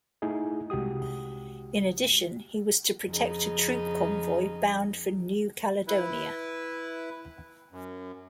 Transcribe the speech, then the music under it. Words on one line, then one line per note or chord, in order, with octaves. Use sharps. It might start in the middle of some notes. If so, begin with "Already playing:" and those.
In addition, he was to protect a troop convoy bound for New Caledonia.
A3 D#4 E4 G#4
C2 G#3 F#4 G4 D#6
F2 C#3 D#4
E4 B4
F#2